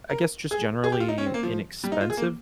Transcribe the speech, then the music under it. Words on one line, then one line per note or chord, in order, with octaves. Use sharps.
I guess, just generally inexpensive
A#4
G#4
G#4
G4
F4
D#4
C#4
C4
A#3
F3
G3
D#4
F4
G#4
A#3